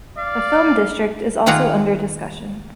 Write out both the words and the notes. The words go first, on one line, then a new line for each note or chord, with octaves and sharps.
A film district is also under discussion.
D5 F5
D#3 A#3 F4 G#4 F#5 A#5